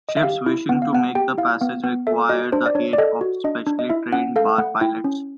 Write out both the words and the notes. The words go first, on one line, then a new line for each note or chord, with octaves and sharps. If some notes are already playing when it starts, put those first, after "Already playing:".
Ships wishing to make the passage require the aid of specially trained bar pilots.
D#5
E5
G4 F5
E4
B3 F#5
F5
B3 F#5
G4 G5
E4 F5
B3 F5
B3
A4 E5
F#4 D#5
D4 C5
D5
D4 C#5
D5
A4 D#5
F#4
D4 D#5
D4
D#5
E4 E5
C#4 F#5
A4 F5
A3 F#5
E4 G5
C#4